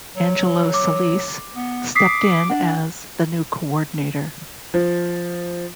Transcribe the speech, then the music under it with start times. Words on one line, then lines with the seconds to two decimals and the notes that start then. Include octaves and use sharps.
Angelo Salese stepped in as the new coordinator.
0.16 F#3
0.74 D6
1.55 B3
1.95 D6 D#6 B6 C7
2.50 D4 F#5
4.74 F3